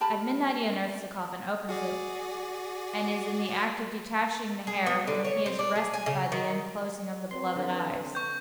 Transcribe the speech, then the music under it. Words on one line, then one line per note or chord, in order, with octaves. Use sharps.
At midnight he unearths the coffin, opens it, and is in the act of detaching the hair, when he is arrested by the unclosing of the beloved eyes.
G4 A#4 A5 B5
F#4 G#4 D5
G#4
B3
D3
C#5
C4
D4
G#4
G#5
C#3
D#3
C4 B4 C6
D3
C#6 G6